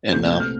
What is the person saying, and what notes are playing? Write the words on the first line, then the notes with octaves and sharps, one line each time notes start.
and, um,
C2 A#2 A3 C4 G6
F6